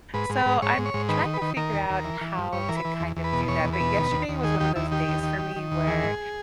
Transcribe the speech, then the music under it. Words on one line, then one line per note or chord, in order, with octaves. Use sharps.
So, I'm t trying to figure out how to, kind of do that, but yesterday was one of those days for me, where
G#2 B4
G#2
B4
G#2
G#2 C#5
G#2
C#5
G#2
D#3 B4
D#3
B4
D#3
D#3 A#4
D#2
D#2
E3
E3
G2
G2 C#5
E3 A#4
B4
E3
E2
E2
B4
B2
E2 C#5
E2
B4
B2
D#2
D#2
D#2
D#3 G#4
D#2 G4
D#2 E4
D#3 G4
D#2
D#3
D#3
D#3
D#2
E3 G#4
G#2